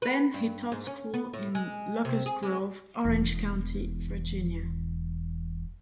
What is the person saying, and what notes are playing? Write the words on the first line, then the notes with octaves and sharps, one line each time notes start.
Then, he taught school in Locust Grove, Orange County, Virginia.
B4
G2
G#2
C#4
B3
A2
G#3
C3
G#4
G#3
E1 E2